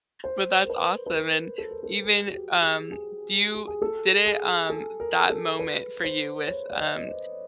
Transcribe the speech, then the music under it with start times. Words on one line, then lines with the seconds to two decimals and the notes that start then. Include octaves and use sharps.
But that's awesome and even, um, do you did it, um, that moment for you with, um,
0.24 C5
0.65 A#4
0.70 B4
1.06 B4
1.14 A#4
1.58 A4
1.71 A#4
1.83 A4
2.03 G#4
2.27 F#4
2.32 G4
2.62 G#4
2.92 G#4
3.54 G4
3.67 G#4
3.82 A4
4.25 G#4
4.70 A4
5.00 A#4
5.30 A4
5.59 B4
6.04 C5
6.48 C#5
6.70 D5
6.78 D#5
7.09 C5